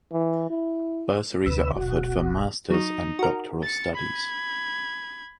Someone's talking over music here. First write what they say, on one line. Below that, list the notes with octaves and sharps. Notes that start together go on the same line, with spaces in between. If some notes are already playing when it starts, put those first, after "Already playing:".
Bursaries are offered for Master's and doctoral studies.
E3
E4
D2 C3 B4 E6
D#1 B1 F#4
F#3 D#4
F#4 A#4
A6 C#7
B5 G#6